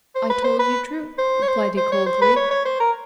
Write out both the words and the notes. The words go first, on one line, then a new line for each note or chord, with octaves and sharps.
"I told you true," replied he coldly.
C5
B4
C5
B4
C5
C#5
C5
C5
C#5
C5
B4
C#5
C#5
C5
A#4